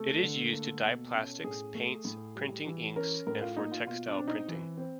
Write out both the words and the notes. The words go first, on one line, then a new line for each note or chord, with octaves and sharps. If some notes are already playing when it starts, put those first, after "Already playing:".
It is used to dye plastics, paints, printing inks, and for textile printing.
Already playing: C3 A3 A4
D3
A#3
B2
C#4
A2 G#4
A3
A2
G3
E3
C#4 A#4
A2 A#4
F4
A#3 D#4
F4
B2 F4
D4
C4
D#4
E3
C4